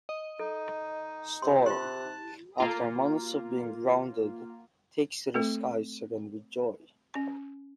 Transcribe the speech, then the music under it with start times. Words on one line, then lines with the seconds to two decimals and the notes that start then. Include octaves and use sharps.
Storm, after months of being grounded, takes to the skies again with joy.
0.09 D#5
0.39 D#4 A4
1.42 C3 C6
1.66 F4 G4 A5 F#6
2.58 A#3 F4 A#5
5.34 A3 C4 A4
7.15 C#4